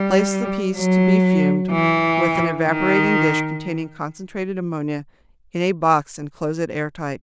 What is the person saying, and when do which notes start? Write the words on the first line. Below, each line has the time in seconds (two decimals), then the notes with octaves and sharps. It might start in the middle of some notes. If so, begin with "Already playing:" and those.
Place the piece to be fumed, with an evaporating dish containing concentrated ammonia, in a box, and close it airtight.
Already playing: G3
0.76 F#3
1.72 E3
2.67 D#3